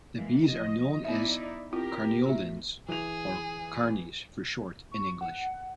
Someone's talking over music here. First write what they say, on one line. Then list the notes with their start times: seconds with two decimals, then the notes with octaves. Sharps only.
These bees are known as Carniolans, or "Carnies" for short, in English.
0.15 E3 G#3 A#3
0.48 F3 D#5
1.05 B3 D#4 E4 D5 E5
1.73 C4 E4 F4 G4 A#4
2.26 A2 F#4 E5
2.88 E3 G#4 F7
4.91 C#6
5.21 F#5